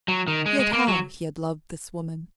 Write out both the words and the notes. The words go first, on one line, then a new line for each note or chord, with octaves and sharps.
Yet how he had loved this woman!
F#3
D#3
G#3
G#3
A#3
F#3